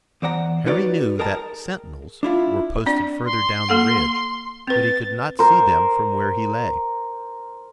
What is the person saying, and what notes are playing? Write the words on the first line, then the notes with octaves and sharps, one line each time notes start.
Harry knew that sentinels were posted further down the ridge, but he could not see them from where he lay.
E2 C5 D5 F#5 A#5
D#4 F#4 B4 C#5 D5
G#4 A#4 D#5 G5 A5 A#5
D4 E4 F4
C4 D4 D5
C6
A#3 A4 F#5
C4 B4 A6
A#4 C5